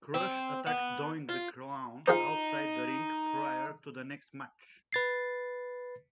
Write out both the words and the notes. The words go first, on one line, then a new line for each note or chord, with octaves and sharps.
Crush attacked Doink the Clown outside the ring prior to the next match.
C4
B3
F4
D#4 F4 G#4 C5
B4 A6 C7